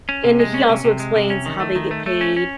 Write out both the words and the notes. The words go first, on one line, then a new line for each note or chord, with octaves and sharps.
and he also explains how they get paid
C#4
C3
G#3
C#4
C3
C3
G#3
C3
C#4
D#3
A3
D#3
A3
A3
C#4
C#4